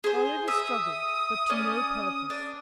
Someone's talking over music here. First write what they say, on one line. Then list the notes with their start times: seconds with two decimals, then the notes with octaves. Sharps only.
Oliver struggled, but to no purpose.
0.04 G#4 C5
0.48 E5 D#6
1.49 C#4 D5
2.30 D4